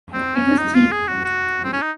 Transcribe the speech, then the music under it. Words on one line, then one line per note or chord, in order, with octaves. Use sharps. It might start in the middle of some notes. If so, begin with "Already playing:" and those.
It was cheap.
C4
C#4
D#4
F4
G#4
F#4
F#4
C4
C#4
D#4